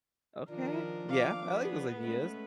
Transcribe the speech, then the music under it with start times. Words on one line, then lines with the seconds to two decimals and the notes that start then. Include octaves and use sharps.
Okay. Yeah, I like those ideas.
0.50 D#3 F3 D4 F4 A#4
1.08 F5 D6
1.50 B3 G#4 B4
1.99 G#3 A3 C#4 B4